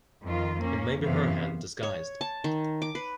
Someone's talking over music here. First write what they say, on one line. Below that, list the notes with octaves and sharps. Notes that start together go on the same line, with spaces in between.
It may be her hand disguised.
F2 D#3 F4
A#3 C#4
F#2 C3 E3 B3 F5
C#5
A5
D#3
D6
B4